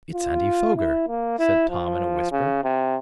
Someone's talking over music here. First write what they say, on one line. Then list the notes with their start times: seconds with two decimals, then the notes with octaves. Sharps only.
"It's Andy Foger!" said Tom, in a whisper.
0.14 F4
0.77 E4
1.08 A#3
1.39 E4
1.70 F3
2.32 C#3
2.64 C3